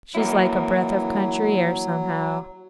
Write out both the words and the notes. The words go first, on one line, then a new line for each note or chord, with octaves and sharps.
She's like a breath of country air, somehow.
E3 F#3 A#3 E4